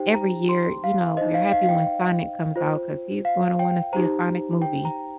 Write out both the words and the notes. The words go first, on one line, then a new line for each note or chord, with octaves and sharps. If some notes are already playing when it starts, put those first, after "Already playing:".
every year, you know, we're happy when Sonic comes out 'cause he's gonna wanna see a Sonic movie.
Already playing: D#4 G4 C5 G5
A#5
C6
F5
D#4 C5 D#5
F5
F5
F5
G5
F4 C5
F5
G5
D#4 G4 C5 A#5
G5
A#5